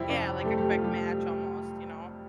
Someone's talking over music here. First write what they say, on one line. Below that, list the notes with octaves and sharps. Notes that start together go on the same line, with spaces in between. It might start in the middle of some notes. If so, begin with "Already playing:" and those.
Yeah, like a quick match almost, you know?
Already playing: F2 C3 G3 C4 E4 G4 E5 G5
D4 D5
G4
A3 A4
G3 G4
F3 F4
G3 G4